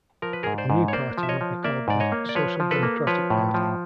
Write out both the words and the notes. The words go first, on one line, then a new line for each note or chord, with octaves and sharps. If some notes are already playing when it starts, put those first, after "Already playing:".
The new party would be called the Social Democratic Party.
F3 A#4
B4
G#2 G#4 A#4
C5 D5
G#2
C#5
A#3 C5 D5
F3
E5
C#5 D#5
F3
A#3 D5 E5
G#2 D5
C#5 D#5
A#3
D5
F3 B4 C#5
F3
A4 B4
A#3
F3 B4 C#5
A2
F3